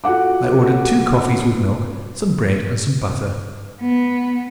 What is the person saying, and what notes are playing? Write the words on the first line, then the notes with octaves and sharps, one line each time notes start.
I ordered two coffees with milk, some bread, and some butter.
F4 F#4 A4 F#5 D6
B3